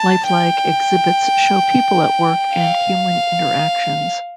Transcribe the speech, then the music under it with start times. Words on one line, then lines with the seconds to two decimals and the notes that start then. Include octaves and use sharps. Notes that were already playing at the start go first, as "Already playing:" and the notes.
Lifelike exhibits show people at work and human interactions.
Already playing: A5
0.26 G5
2.55 F5